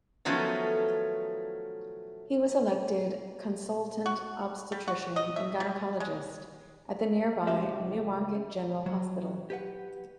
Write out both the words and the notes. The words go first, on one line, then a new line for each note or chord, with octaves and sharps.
He was elected consultant obstetrician and gynaecologist at the nearby Newmarket General Hospital.
D#3 F3 F#3 A3 B3 C#4
F#4
G3
F#4
D#5
E5
G3
G#3
C#2 C#3 F#4 G4 E5
F#3
G4 B4 F#5